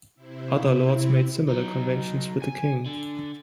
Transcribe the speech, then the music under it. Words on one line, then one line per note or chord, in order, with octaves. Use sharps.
Other lords made similar conventions with the king.
C3 C4 E4
F#3 D#4
G#5
D3